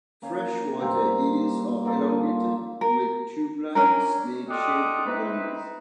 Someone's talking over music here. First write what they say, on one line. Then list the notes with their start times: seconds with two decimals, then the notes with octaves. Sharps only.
Freshwater eels are elongated with tubelike, snake-shaped bodies.
0.22 A#3 C#4 F5
0.80 G2 A#3 C4 A#5
1.85 A#2 A#3 F4 A4
2.81 A#4
3.75 C#4 D4 A#4
4.49 F4 G4 A4 D5 D#5 F#5
5.06 C4 D#4 E4 B4